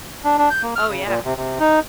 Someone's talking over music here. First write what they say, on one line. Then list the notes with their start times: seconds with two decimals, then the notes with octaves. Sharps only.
Oh, yeah.
0.24 D4
0.38 D4
0.50 G6
0.62 A#3
0.76 F6
0.89 C#3
1.06 A#2
1.25 C3
1.37 C3
1.60 D#4